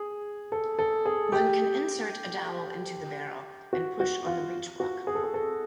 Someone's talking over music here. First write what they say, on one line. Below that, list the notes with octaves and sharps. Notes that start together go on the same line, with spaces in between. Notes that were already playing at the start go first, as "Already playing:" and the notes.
One can insert a dowel into the barrel and push on the breech block.
Already playing: G#4
A4
A4
G#4
G4
F#4
F#4
F4
F#4
G#4
A4
G#4
A4